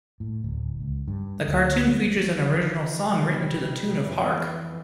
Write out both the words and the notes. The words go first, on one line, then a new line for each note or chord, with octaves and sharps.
The cartoon features an original song written to the tune of Hark!
A2
D1
C#2
G2
D2
G3
F#3
D#3
C3 G3
F2 E3